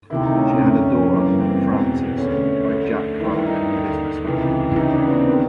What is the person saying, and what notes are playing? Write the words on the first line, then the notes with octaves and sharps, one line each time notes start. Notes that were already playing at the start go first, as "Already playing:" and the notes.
She had a daughter, Frances, by Jack Clark, a businessman.
D2 C3 D#3 E4
D#4
C#4
C4
F#2 D3 C#4
F#2 C#3 E3 A#3
C4
E2 B2
D2 D3 C#4
D2 D3
G2 D#3 E4
D#4
D#2 D3
C#2 C3 E3
E4
D#2 C#3 E3 D#4
D4
B3
C4
D#3 B3